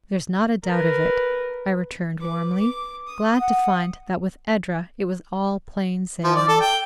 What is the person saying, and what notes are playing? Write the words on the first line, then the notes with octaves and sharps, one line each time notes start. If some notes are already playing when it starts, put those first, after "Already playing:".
"There's not a doubt of it!" I returned warmly, glad to find that with Edra it was all plain sailing.
A#4 B4
B4 D6
D6
D#6
F#5
F3
D5
A4
G5